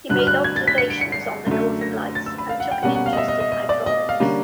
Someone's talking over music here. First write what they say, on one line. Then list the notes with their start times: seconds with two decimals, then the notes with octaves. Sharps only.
He made observations on the northern lights and took an interest in hydraulics.
0.10 G2 D3 F#3 F#6
0.19 F6
0.27 F#6
0.44 G#6
0.56 A6
0.68 B6
0.78 C#7
0.90 D7
1.01 C#7
1.12 C7
1.46 F#2 D3 F#3 A3
1.81 A#6
2.15 A6
2.26 E6
2.38 B5
2.49 F5
2.60 F#5
2.71 G5
2.83 B2 G3 A#3 C#4 F#5
2.95 F#5
3.06 F5
3.13 D#5
3.17 E5
3.28 D#5
3.40 D#5
3.52 D#5
3.69 D5
3.86 D#5
4.09 F5
4.20 D3 G3 A#3 C#4